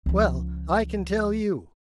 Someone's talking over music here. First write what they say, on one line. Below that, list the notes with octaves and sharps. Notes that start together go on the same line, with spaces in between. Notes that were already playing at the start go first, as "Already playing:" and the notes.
Well, I can tell you.
C#2 F3